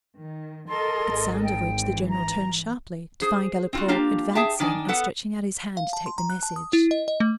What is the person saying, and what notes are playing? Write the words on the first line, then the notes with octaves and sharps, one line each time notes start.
At sound of which the General turned sharply, to find Galipaud advancing and stretching out his hand to take the message.
D#3
A4 A#4 D#5 C6
G#1
G5
E3
A#5
G#4 C5
C4 F4 F#4
A#3 D4 F4 G4
G#4 E5 G5 A5
D#3 D4 D5 G#5
B3 A4 B4 F#5
F5
A5
C6
A#5
F#6
A5
D#6
E4
D#5
D#5
A3